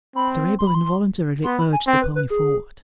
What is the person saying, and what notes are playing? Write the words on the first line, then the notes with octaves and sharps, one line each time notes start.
Mr Abel involuntarily urged the pony forward.
C4 B5
C6
B5
C6
B3 C6
B5
G#5
C4 G5
B4
B4
G#4